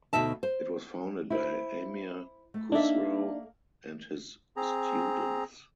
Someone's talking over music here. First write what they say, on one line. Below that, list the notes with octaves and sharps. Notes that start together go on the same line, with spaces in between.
It was founded by Amir Khusrau and his students.
D2 B2 D#4 E5 A5
C5
E4 C5
A3
A#3 D4 D#4 A4 D5 E5
C4 G#4 A#5